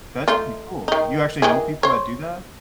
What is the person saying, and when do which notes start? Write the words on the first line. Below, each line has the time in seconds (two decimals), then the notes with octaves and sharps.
That's pretty cool. You actually know people that do that?
0.28 A3 D#4 F4
0.88 D#3 D#4
1.42 D#3 E3 G#4
1.83 C5 C#5